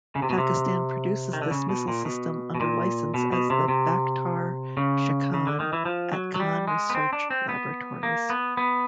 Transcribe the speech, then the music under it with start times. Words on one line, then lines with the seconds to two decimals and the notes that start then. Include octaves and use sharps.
Pakistan produces this missile system under licence as the Baktar-Shikan at Khan Research Laboratories.
0.15 C#3
0.22 C3
0.30 B2
0.38 C3
1.33 D#3
1.42 D3
1.51 C#3
1.69 B2
1.88 A#2
2.05 B2
2.55 B2
2.60 A#2
3.14 B2
3.32 B2
3.50 C3
3.68 C3
4.77 C#3
5.34 C#3
5.47 D3
5.60 D#3
5.73 E3
5.85 F3
6.13 F#3
6.34 F#3
6.40 G3
6.68 G#3
6.90 B3
6.95 C4
7.13 D4
7.30 C4
7.49 B3
8.03 A#3
8.30 B3
8.57 B3